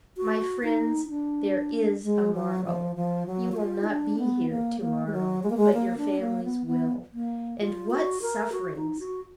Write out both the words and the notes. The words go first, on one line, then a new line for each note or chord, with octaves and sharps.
My friends, there is a morrow; you will not be here to-morrow, but your families will; and what sufferings!
F#4
D#4
D#4
D4
G#3
F#3
F3
F3
F#3
F#4
F4
D#4
D4
B3
A#3
A#3
G#3
F#3
G#3
A#3
G#3
A#3
D4
A#3
B3
B3
A#3
F4
F#4
A#4
F#4
D#4
F#4